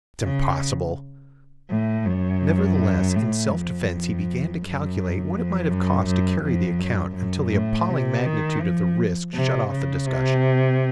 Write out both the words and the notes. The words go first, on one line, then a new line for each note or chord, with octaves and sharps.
"It's impossible!" Nevertheless, in self-defense he began to calculate what it might have cost to carry the account, until the appalling magnitude of the risk shut off the discussion.
C#3
A2
F#2
A2
F2
F#2
F2
F#2
F#2
F2
F#2
F#2
A2
C3
D#3
F3
C3
C#3
C3